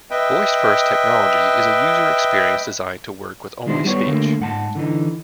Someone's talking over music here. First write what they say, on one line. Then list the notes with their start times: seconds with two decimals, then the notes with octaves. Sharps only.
Voice first technology is a user experience designed to work with only speech.
0.11 B4 D#5 E5 G5
3.66 D#3 G#3 D4 E4 C5
3.84 G3 B3 C#5
4.06 D3 A3 A#3
4.40 G#2 F#5 A5
4.75 D3 E3 D#4